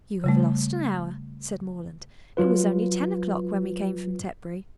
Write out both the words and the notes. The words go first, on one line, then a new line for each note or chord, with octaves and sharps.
"You have lost an hour," said Morland; "it was only ten o'clock when we came from Tetbury."
C#3 G3 A3
F#3 F4 B4